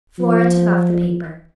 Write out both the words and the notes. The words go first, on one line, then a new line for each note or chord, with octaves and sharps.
Flora took off the paper.
F3